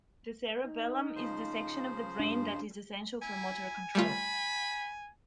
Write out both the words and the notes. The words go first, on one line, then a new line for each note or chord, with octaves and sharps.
The cerebellum is the section of the brain that is essential for motor control.
D#4
C#3 F3 C5
G2 D4
E4 G#5
G3 A3 F4 B5